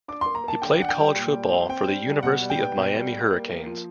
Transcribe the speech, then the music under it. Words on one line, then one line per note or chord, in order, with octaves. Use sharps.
He played college football for the University of Miami Hurricanes.
D4 D6
A#3 C6
A#5
A#3 A5
D3 G5
D4 F#5
G5
G3
A#2
G3
C4
C4 G5
G3
G3
B2 F#5
G3
G5
B3
B2
G3
G3
A#3
A#3
F3